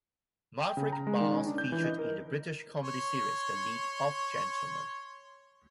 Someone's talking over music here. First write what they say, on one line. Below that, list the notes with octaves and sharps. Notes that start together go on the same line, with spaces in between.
Maverick bars featured in the British comedy series The League of Gentlemen.
G5
C#3
A#5
G#3
D#3
C#4
D4
G6
E3
D#5
A#4
C#5 C6